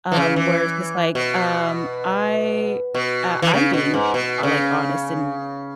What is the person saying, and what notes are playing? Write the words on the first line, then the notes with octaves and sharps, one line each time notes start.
Um, where it's just like, um I, uh, I'm being, uh, like honest and
E3
C#3
E3
B2
B2
E3
C#3
B2
G#2
B2
C#3